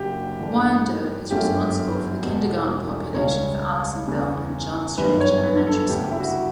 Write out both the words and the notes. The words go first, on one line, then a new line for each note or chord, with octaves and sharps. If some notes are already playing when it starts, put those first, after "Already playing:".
Wyandotte is responsible for the kindergarten population for Allisonville and John Strange elementary schools.
Already playing: F#1 F#2 D3 F#4 G4
G2 E3 A3 D4
G1 F#2 D3 A3 C#4 G4
E1 E2 B2 G3
C#2 C#3 G3 C#4 C#5
E2 C#3 E3 G3
G1 F#2 E3 G3 B4
C#5
B4
A4
D2 C#3 G3 G4
E4
F#4